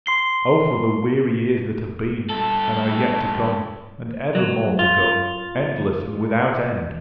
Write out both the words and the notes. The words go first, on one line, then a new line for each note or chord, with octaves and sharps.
Oh, for the weary years that have been and are yet to come, and evermore to come, endless and without end!
C6 C7 G7
G2 A4
F#3
F4